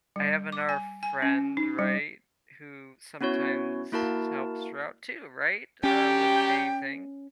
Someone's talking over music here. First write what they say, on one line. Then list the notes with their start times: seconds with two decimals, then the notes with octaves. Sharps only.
I have another friend, right? Who sometimes helps her out, too, right? Uh, with a thing.
0.16 G3
0.52 D6
0.69 G#5
1.03 G#5
1.22 C#4
1.57 D#4
1.79 G3
3.21 B3 C#4 E4 F#4 C#5
3.92 A#3 E4 F#4 A#4 A5
5.84 F#3 G3 C#4 G4 G5